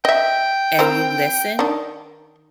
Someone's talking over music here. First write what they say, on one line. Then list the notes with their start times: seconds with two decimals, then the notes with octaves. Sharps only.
and you listen
0.05 D#5 E5 G5
0.79 C4 E4 A#4
1.59 D#3 D4